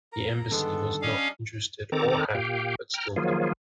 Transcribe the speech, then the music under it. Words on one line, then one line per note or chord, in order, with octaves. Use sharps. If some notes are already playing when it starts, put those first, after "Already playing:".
The Embassy was not "interested or happy" but still did it.
A#4 A#5
G2 D3 D#3 G#3 B3 A4
G3 C#4 D4 D#5 F5
D#3 C4 A4 A#5 D6
A#2 G4 F5 G5
G5 A#5 F6
D#3 F3 F#3 A#3 F4 G#4